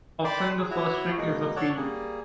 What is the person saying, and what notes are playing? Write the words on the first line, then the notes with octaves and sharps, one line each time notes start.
Often the first ring is a field.
D5 G5 A5 B5 C6 D6
G#4
E4 F#4 C#5
B2 G#3 A#3 D#4
A4 C#5 D5 F#5 A5
G3 A#3 G#4